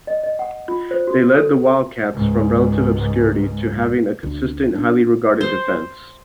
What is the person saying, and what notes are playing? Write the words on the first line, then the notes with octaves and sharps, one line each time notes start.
They led the Wildcats from relative obscurity to having a consistent, highly regarded defense.
D#5
D#5
F#5
F4
C5
F#4
A4
C#2 G#2
D2
D4
C5